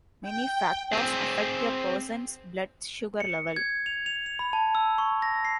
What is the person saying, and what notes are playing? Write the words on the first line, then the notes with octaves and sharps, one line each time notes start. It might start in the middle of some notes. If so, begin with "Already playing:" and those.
Many factors affect a person's blood sugar level.
G5
C4 G#4
C#7
G#6
F7
F7
F7
B5
A5
E6
C#6
A#6
C7